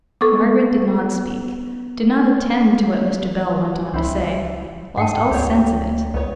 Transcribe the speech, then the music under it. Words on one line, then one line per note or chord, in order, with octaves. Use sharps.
Margaret did not speak; did not attend to what Mr. Bell went on to say; lost all sense of it.
B3 A4 C#6 D6
C#2 C4 E4
G#2 F#5 G5 A5
D2 G4 C#5
C#2 B3 C#5